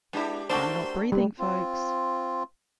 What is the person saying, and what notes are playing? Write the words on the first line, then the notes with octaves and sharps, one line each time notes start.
I'm not breathing folks!
G#3 B3 D4 E4 G4
A3 D4 F#4 G4 A4 A#4 C5
G3
C4 F4